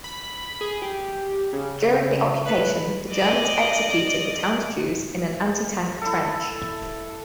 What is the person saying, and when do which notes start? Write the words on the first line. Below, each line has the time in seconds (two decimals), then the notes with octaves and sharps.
During the occupation, the Germans executed the town's Jews in an anti-tank trench.
0.04 B5
0.61 G#4
0.82 G4
1.53 C#3
2.46 B4
3.11 D5 D#5
6.02 E4 A4